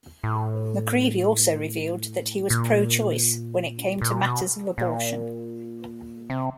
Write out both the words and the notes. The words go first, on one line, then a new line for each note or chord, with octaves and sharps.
McCreevy also revealed that he was pro-choice when it came to matters of abortion.
A2
A#2
A#2
B2
A#2
C3